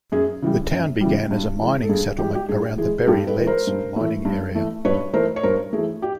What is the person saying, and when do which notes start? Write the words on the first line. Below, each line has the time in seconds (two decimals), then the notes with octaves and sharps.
The town began as a mining settlement around the Berry Leads mining area.
0.12 F#2 G#4
0.42 C#3 E3 G3
0.71 F#2
1.01 C#3 E3 G3
1.31 G2
1.60 E3 G#3
1.83 A4
1.89 G2 G#4
2.18 E3 G#3 G4
2.35 G4
2.48 G2 G#4
2.78 E3 G#3 G#4
2.99 G#4
3.07 G2 G4 A4
3.27 A4 B4
3.38 E3 G#3 B4
3.47 A#4 C5
3.67 G2
3.96 E3 A3
4.25 G2
4.55 E3 A3
4.85 G2 B4 C#5
5.14 E3 A3 A#4 C5
5.36 C#5
5.43 G2 A#4 C5
5.73 A3 G#4
5.78 E3
6.02 G4